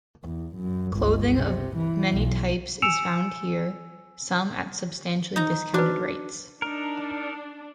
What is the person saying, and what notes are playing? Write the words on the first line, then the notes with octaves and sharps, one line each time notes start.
Clothing of many types is found here, some at substantially discounted rates.
E2
F#2
G1 C#2
C3
E3
B1
G#5 E6 C#7 D7 E7 F7
D#4 A#5
D4 F#4 B4
D4 D#4 A#4